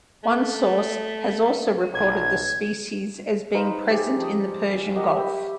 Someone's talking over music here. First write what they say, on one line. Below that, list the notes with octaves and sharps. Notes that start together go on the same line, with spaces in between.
One source has also recorded the species as being present in the Persian Gulf.
A3
B1 G#6
D#4 B4 C5 F5
G4 G#4
F3 C4 D#6
G4 A#4 D#5 F#5
E5 G5 B5